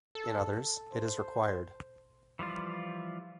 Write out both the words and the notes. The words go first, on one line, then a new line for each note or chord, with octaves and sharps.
In others it is required.
A4
C5
E3 F3 G3 F4